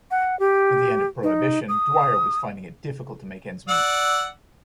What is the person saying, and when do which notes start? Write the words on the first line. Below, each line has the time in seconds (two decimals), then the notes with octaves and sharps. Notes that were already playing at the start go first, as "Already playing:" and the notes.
With the end of Prohibition, Dwyer was finding it difficult to make ends meet.
0.11 F#5
0.39 G4
1.23 D#4
1.69 D#6
3.68 D5 F#5 E6